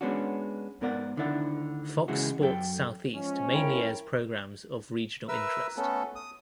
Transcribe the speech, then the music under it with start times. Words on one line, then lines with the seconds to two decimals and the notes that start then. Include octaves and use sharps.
Fox Sports Southeast mainly airs programs of regional interest.
0.01 G#3 B3 C#4 D4 F#4
0.81 G#2 B3 A#4 D5 F#5
1.17 D2 D3 D#3 E4 D5 F#5
2.08 C#3 E3 G#3 E4 F#4
2.41 F#2 A4 G5
3.13 F3 G#3 C#4
3.53 E4 A#4 C#5 G5 B5
5.28 A#4 B4 E5 E6
5.77 A3 B3 C#4 A4
6.16 D#6